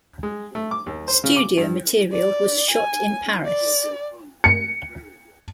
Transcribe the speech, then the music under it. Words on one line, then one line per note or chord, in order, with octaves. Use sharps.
Studio material was shot in Paris.
G#3
A3
D6
D#2
C5
C#3
D6
G2
D5
G#5
D5
C#7